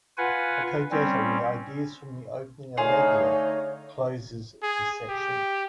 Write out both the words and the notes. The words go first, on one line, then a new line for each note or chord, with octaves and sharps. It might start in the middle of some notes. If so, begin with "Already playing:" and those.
A codetta, with ideas from the opening allegro, closes the section.
F4 B4 F#5 G#5
G3 C4 C#4
D3 A3 D#4 G#4 C#5 F5 C6
G#4
G4